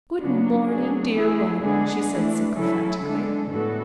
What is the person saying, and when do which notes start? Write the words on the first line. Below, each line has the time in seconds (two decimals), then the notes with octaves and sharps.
"Good morning, dear one," she said sycophantically.
0.19 C#3 F#3 B3 D4
0.66 F#3 A3 D4 G#4
1.13 E3 A3 E4 G#4
1.61 D3 G#3 B3 D4 G#4
2.08 E3 A3 D4
2.55 C#3 F#3 C#4 E4 A4
3.02 D3 G#3 D4 A4
3.50 A2 E3 B3 F#4 A4